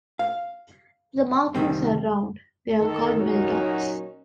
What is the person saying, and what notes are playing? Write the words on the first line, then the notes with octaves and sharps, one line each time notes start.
If the markings are round they are called mil-dots.
F5
C2 F2 D#3 G3 C4
D#3 A4
A#2 F#3 C#4 D#4 F#4 A#4